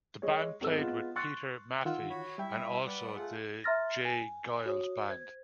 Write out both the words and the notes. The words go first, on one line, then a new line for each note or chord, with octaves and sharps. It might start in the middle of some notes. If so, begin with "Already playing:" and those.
The band played with Peter Maffey and also the J. Geils Band.
G#3 C#5
G#1 G#3 A4 E6
G#3 B3 F4
C6 C#6 E6 F#6 A6 C#7
D#3 F4 F#5 E6
F#4 C#5 B5
G3 E4 E5 G5
B4 D5 F#5
A3 F4 G#4 F#5
E5 A#5 C6 F6 A6 A#6
G#5
F#4 C#5 D#6
C5 G#6